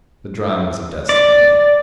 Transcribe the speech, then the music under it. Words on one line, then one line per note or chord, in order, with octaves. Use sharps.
The drums of Destiny!
D5